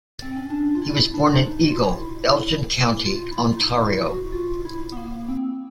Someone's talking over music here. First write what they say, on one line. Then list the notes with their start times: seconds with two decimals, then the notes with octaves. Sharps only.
He was born in Eagle, Elgin County, Ontario.
0.22 C4
0.36 C#4
0.50 D4
0.75 F4
0.82 E4
1.14 D4
1.45 D#4
1.63 F#4
1.70 F4
1.78 E4
3.05 F4
3.31 E4
3.37 F4
3.57 D#4
3.69 E4
4.01 F#4
4.32 F4
4.65 E4
4.92 B3
4.97 A#3
5.28 C4